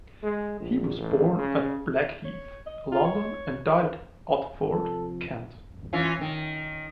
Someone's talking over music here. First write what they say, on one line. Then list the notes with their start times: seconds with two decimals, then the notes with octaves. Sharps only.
He was born at Blackheath, London and died at Otford, Kent.
0.23 G#3
0.60 A#1
0.98 A1
1.38 C#3
2.25 C#5
2.66 D#5
2.92 F4
3.05 C#5
4.70 C3 F3 A4
5.93 E3 C#4 F4
6.21 D#3